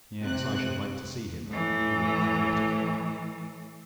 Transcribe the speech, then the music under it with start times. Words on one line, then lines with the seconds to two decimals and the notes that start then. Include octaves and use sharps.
Yes, I should like to see him. He wouldn't forget it.
0.22 C3 F#6
1.48 A2 E3